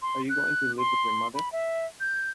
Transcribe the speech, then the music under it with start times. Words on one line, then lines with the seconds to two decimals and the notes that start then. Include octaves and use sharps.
Are you going to live with your mother?
0.02 C6
0.29 F#6
0.78 C6
1.35 B5
1.52 E5
2.00 G6